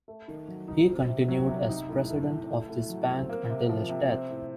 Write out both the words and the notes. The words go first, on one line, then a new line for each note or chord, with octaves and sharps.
He continued as President of this bank until his death.
A3
D#3
F#3
D#4
C4
C3
F#3
C3
D#4
A2
A3
A2
A3
A2
F#3
C4
A#3
C3
F3
C3
C4
A2